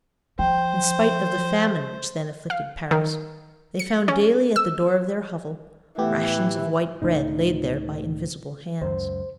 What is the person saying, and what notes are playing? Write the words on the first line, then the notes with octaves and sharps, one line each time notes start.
In spite of the famine which then afflicted Paris, they found daily at the door of their hovel rations of white bread, laid there by invisible hands.
F3 C5 G5
F5
D#3
C#7
C#4
E6
A2 E3 B3 G4
C#2 A2 C#3 D#4
C#2 F#2 C5